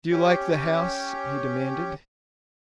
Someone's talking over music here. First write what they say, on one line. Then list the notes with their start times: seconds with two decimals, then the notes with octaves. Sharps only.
"Do you like the house?" he demanded.
0.11 C#4 G4